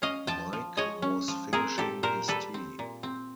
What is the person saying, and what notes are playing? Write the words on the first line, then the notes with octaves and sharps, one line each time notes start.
Mike was finishing his tea.
C#4 D#5 F5
F3 G5 A5
F3
G#3 C#5 D#5
C#4
F3
C4 G#4 A#4
A#2 G4 A4
A#2 A#4 C5
G3 A4 B4
C4
A#2
C4